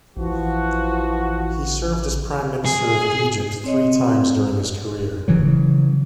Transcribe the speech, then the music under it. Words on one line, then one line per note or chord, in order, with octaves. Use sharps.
He served as Prime Minister of Egypt three times during his career.
A1 E3 F3 F#4
G#4
C4 C#5 D#5
C4
C#3 E3 F#3